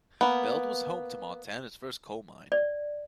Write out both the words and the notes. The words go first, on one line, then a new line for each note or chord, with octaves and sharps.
Belt was home to Montana's first coal mine.
A#3 B3
D5